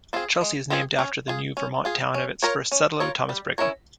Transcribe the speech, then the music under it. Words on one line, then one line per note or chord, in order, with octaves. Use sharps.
Chelsea is named after the New-Vermont town of its first settler, Thomas Brigham.
C4 F4 G#4
G#3
C4 F4 G#4
C#4
F4 G#4
C#4
F4 G#4
C#4
F4 A#4 C#5
C#4
F4 A#4 C#5
G3
C#4 E4 A#4 C#5